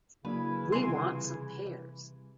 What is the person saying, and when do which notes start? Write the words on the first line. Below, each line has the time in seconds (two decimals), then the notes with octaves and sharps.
We want some pears.
0.25 C#3 F#3 A#3 D4 E4 B4
0.72 C3 E3 G3 G#5 C6